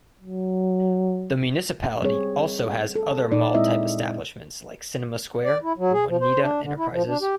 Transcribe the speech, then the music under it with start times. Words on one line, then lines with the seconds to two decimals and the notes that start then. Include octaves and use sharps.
The municipality also has other mall type establishments like Cinema Square and Juanita Enterprises.
0.21 F#3
2.02 G3 C4 G#4 C#5
2.96 A4
3.32 A#2 D#4 D5
3.54 G#3 C4 E4 D#5 E5
5.45 D5
5.63 E4
5.78 F#3
5.93 G#4
6.08 F3
6.21 C5
6.43 D4
6.62 D3
6.78 E4
6.91 F3
7.07 D4
7.21 G4